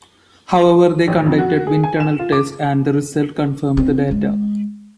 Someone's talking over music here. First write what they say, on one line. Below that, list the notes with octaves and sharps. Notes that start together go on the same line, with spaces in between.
However they conducted wind-tunnel tests and the results confirmed the data.
A1
F2
F#4
G#4
G#5
E7
F4
D6
C4
G#3